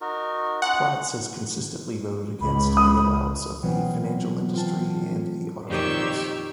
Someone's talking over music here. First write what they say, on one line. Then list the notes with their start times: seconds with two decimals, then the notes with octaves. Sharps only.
Platts has consistently voted against bail-outs of the financial industry and the automakers.
0.01 D#4 F#4 A#4
0.62 C#4 D#4 F4 F#5
2.41 C#2 B5
2.77 D#6
3.63 B2 E3 F#3 B3 C4 F4
4.53 C4 F4 A5
5.67 F2 A#2 D#3 G4 C#5 E6